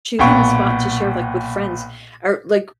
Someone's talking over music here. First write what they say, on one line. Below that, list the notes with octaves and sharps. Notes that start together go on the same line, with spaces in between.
choosing a spot to share, like, with friends, are, like,
B1 A#2 B3 G5 C#6